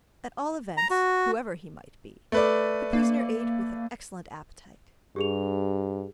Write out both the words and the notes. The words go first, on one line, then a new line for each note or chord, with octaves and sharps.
At all events, whoever he might be, the prisoner ate with an excellent appetite.
A#5
F#4
A3 B4 D5
A#3
G2 G4 G#4 F7